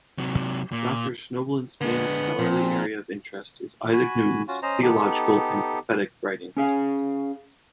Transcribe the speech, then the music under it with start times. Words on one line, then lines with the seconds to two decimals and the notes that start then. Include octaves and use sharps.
Doctor Snobelen's main scholarly area of interest is Isaac Newton's theological and prophetic writings.
0.18 C3 F#3
0.72 A#2
1.81 D3 G#3 B3
2.39 A#2 F3 C4
3.93 F#4 G#5 B5
4.48 C#4 F4 F#4
4.62 C#4 C5 D#5 A#5
4.82 B3 D#4 G4 A4
6.57 C#4 G#4 F5